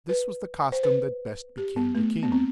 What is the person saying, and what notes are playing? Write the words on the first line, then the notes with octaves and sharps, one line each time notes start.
This was the costume that best became the king.
B4
C5
B4
G4
B3
A3
B3
C4